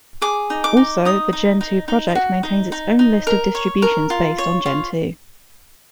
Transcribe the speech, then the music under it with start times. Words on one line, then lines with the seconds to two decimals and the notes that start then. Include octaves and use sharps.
Also, the Gentoo project maintains its own list of distributions based on Gentoo.
0.22 G#4 D6
0.50 D#4
0.64 D6
0.77 D#4
1.05 D#4 D#6
1.33 D#4
1.61 D#4
1.88 D#4
2.15 F#4
2.43 D#4
2.72 D#4
2.99 D#4
3.27 A#4
3.55 C#5
3.82 A#4
4.10 F4
4.38 C#5
4.66 F4